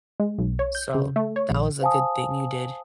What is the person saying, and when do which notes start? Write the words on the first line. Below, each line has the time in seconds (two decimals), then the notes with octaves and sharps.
So that was a good thing you did.
0.20 G#3
0.38 B1
0.59 C#5
0.75 G6
0.95 C#3
1.16 A3
1.36 C#5
1.49 A#1
1.82 C5 F5 G#5 A5 D#6